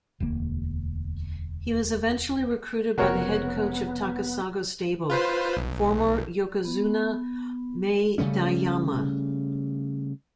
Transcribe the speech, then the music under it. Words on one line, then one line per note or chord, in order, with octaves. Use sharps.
He was eventually recruited by the head coach of Takasago stable, former "yokozuna" Maedayama.
E1 D2 G#3 A#3
F1 C#3 B3 F#4 A#4 C#5
F4 B4 C5
B1
B3
C#3 G3 A3 C#4